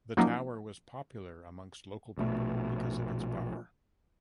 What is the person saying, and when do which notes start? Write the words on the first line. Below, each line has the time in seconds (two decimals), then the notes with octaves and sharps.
The tower was popular amongst local people because of its bar.
0.17 F3 F#3 A#3 C#4 D#4
2.17 A#1 B2 A3